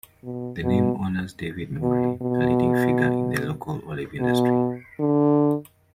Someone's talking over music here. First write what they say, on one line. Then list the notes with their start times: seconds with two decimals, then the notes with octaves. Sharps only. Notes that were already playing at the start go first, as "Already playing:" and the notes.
The name honors David Murray, a leading figure in the local olive industry.
0.24 B2
0.63 B2
1.82 B2
2.22 B2
4.20 B2
4.99 D3